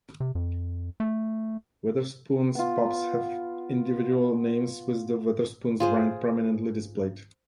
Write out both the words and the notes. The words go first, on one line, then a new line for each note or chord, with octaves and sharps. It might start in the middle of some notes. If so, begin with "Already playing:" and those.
Wetherspoons pubs have individual names, with the Wetherspoons brand prominently displayed.
C3
F2
A3
B3 F4
F4 G#4 C5